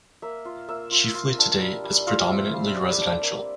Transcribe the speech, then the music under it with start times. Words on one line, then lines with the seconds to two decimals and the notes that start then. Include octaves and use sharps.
Chifley today is predominantly residential.
0.22 A#3 E5
0.45 F4
0.68 A#3 E5
0.91 F4
1.14 F4
1.38 D4
1.61 G3
1.84 G3
2.07 F4 F5
2.30 C4 E5
2.53 G3 F5
2.65 E5
2.76 G3 D5
2.88 D5
3.00 D4
3.23 A#3